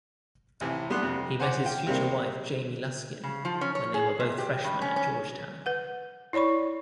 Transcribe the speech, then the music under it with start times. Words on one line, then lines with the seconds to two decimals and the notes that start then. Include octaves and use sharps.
He met his future wife, Jamie Luskin, when they were both freshmen at Georgetown.
0.61 A1 C3 E3
0.90 G3 B3 D4 C6 F#6
1.03 F2 C3
1.40 C5 F#5 G#5 D6
1.65 F4 G5
1.87 C3 G3 A#3 C4
3.24 C#3
3.45 F3
3.61 C#4
3.75 C#5
3.94 G#4
4.20 C3
4.38 G4
4.64 G2
4.82 C#4
4.96 C#4
5.66 B4 F#5
6.33 E4 C#5 D5 B5 C#6